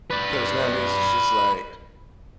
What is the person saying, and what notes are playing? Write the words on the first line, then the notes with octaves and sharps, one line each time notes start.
‘cause nowadays, it's just like,
B4 D5